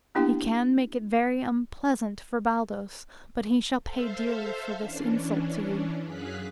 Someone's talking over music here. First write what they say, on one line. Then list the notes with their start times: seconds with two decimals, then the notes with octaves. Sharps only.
He can make it very unpleasant for Baldos, but he shall pay dearly for this insult to you.
0.15 A#3 B3 D4 E4 G4 G5
3.83 A4 C5 E5 F5
4.78 E3 C#4 D4
6.03 F#2 F#3 G#4 F5 F#6 B6